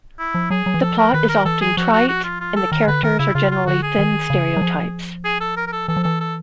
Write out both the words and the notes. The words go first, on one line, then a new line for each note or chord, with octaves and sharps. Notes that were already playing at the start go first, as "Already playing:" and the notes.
The plot is often trite, and the characters are generally thin stereotypes.
E4
F3
F#3 G#4
F#3
E3
F3 A4
A#4
D#3 B4
A#4
E3 A4
G#4
F3 F#4
F#4
F#4
F4
F4
A4
D#3 A#4
D3 B4
D#3 A#4
C#3 E4
C#3 F4
F4
D3 F#4
G#4
D#3
C#3
F#3
F3
G#4
A4
A#4
A#4
A4
E3 A4
F3
E3 A4
A4